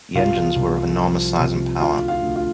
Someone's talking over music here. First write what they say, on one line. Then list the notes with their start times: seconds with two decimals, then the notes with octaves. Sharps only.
The engines were of enormous size and power.
0.15 C2 F4 F5
0.56 C2
0.98 F3
1.40 C3
1.80 D2 F4 F5
2.08 F4 F5
2.23 D2
2.36 F4 F5